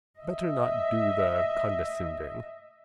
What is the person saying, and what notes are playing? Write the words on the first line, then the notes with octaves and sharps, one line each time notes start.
Better not do the condescending.
D#5 E5